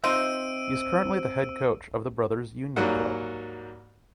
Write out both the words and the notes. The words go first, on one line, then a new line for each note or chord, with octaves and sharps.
He is currently the head coach of the Brothers Union club.
C4 D#4 F4 C5 E5 E6 D7 D#7
G#2 F#3 G3 A#3 F#5